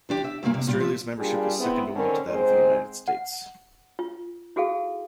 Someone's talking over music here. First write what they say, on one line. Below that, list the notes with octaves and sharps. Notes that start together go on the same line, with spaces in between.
Australia's membership is second only to that of the United States.
E3 D4 G4
E5
D2 G2 C3 A#3 G#5
C3
A#2 G3 D4 F4
F3 E5
G3 A#3 D4 F4 G#4
B3 C4 E4
D3 D#3 C4 C#4 A4 A#4
G#2 G#3 C4 G#4 C5
F#5
F4
E4 F#4 G#4 A4 F5